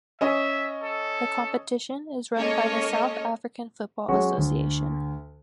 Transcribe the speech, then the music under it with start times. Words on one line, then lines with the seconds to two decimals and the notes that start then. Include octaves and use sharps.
The competition is run by the South African Football Association.
0.21 C#4 D#5 E5
0.83 A4
2.36 G#3 A#3 C#4 A4 C#5 D#5
4.09 F#3 G#3 C#4 F#4
4.38 D2